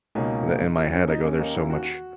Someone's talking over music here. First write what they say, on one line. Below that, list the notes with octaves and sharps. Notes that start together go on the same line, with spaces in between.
that in my head, I go "There's so much
C#2 B2 A#3 C#4 D#4
E4
C#4
D#4
C#4
D#2 D#3 A#3 C#4 D#4
E4
F#4